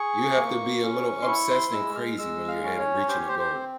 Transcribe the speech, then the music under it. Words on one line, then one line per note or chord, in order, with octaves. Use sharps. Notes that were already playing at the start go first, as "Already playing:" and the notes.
You have to be a little obsessed and crazy when you're ahead of reaching a goal.
Already playing: G#4 C#6
A#3
C#4
C6
E4 C#6
C6
G#3 E6
F6
G#3 E6
F5
C#4
C#5
G4 C5
C#5
C5
C5
C4